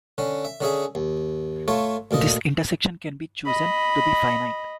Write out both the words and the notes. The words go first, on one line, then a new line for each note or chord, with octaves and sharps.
This intersection can be chosen to be finite.
D3 C#4
E5
D3 C#4 G#4 E5
D#2
A3 F4 A4 C#5
D2 A#2 A4 D#5
D#5 B5